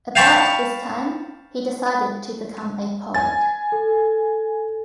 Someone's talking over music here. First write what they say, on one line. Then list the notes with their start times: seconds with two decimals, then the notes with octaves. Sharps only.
About this time, he decided to become a poet.
0.16 F5 G5 A5 B5 C#6
3.14 G#5 A6
3.72 A4